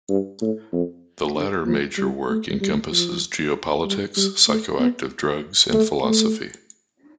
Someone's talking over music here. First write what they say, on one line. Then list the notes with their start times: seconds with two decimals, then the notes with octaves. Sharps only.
The latter major work encompasses geopolitics, psychoactive drugs, and philosophy.
0.09 G2
0.41 A2
0.72 F2
1.35 D3
1.66 F3
1.98 G3
2.29 A3
2.61 G3
2.91 F3
3.86 G3
4.17 G3
4.48 A3
4.79 B3
5.73 A3
6.04 A3